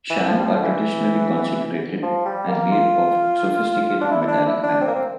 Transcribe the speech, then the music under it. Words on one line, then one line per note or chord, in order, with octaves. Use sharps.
Shang are traditionally consecrated and made of sophisticated metallic alloy.
E3
F3
G3
F3
D3
E3
F3
G3
A#3
F4
D4
E4
E4
D4
E4
D4
C4
A#3
C4